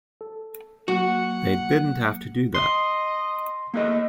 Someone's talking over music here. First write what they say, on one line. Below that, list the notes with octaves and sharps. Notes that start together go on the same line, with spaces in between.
They didn't have to do that.
A4
F#3 A#3 F#4 F#5
D#5 C6
E2 F#3 A3 A#3 D#5